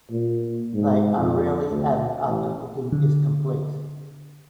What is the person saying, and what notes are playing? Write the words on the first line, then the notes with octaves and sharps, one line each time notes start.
They are rarely added after cooking is complete.
A#2
G#2
F2
D2
A1
D3